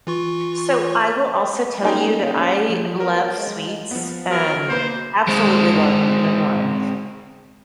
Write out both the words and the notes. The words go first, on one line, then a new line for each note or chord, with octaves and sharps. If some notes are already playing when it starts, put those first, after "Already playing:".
So, I will also tell you that I love sweets, um, absolutely love 'em and adore 'em,
E3 F4 C#6
G3 G#3 A#3 C#4 D#4 G5
C#3 C#4
F3
B3 A#4
G#3
F3 B3
F#3 A#4
B2 A#3 B4 C5
G#3 C4